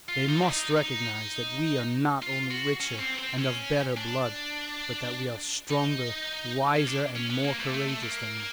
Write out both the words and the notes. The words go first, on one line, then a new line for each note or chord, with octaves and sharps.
They must recognize that we are not only richer and of better blood, but that we are stronger, wiser, and more courageous than they.
F4
D#4
D4
D#4
D#4
F4
F#4
C#4
C4
C4
C#4
D4
D#4
C#4
D4
C#4
B3
A#3
A3
A3
A3
A#3